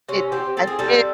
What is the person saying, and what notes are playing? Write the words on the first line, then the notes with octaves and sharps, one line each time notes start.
It I did
C3 C#4
C4 G4
C4 A4
G#4
G3 A4